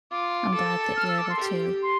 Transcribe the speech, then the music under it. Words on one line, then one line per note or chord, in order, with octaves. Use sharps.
I'm glad that you're able to
F4 D6
A4
F6
E6
D6
C6
G4
C6